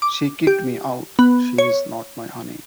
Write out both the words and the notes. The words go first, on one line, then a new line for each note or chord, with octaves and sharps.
She kicked me out, she's not my honey.
D6
G4
B3
C#5